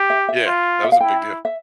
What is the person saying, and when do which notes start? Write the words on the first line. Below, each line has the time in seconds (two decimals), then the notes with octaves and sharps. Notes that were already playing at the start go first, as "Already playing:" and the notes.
Yeah, that was a big deal.
Already playing: G4
0.10 E5
0.29 E5
0.46 F4
0.84 E5
0.92 F5
1.00 E4 G5
1.45 E5